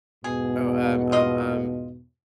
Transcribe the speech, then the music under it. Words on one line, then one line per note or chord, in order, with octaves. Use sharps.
Oh, um um um
E2 G#2 B2 G#4
F4 D#5